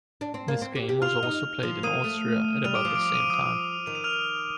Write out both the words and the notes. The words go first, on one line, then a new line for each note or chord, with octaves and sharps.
This game was also played in Austria at about the same time.
D4
C4
A#3
C4
G4
G4
F4 F6 F7
D#4
F3
A#3 D#6 D#7
A3
G3 F6 F7
D6 D7
F3
D6 D7
F7
D#7
D7
D#6 D#7
D#3 F7
D#7
F6 F7